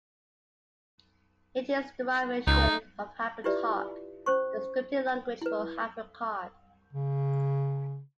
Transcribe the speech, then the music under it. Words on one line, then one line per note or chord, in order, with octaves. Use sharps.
It is a derivation of HyperTalk, the scripting language for HyperCard.
C#2 D#4
E4 F4 G4 B4 D5 E5
C#4 C5 C#6
E4 B4
C#3